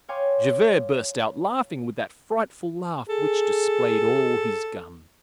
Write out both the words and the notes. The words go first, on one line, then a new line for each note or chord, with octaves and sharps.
Javert burst out laughing with that frightful laugh which displayed all his gums.
C#5 F5 G5 G#5 C6 D6
G#4 A4